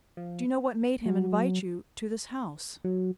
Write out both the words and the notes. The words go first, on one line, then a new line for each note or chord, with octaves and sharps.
"Do you know what made him invite you to this house?"
F3
F#3
F#3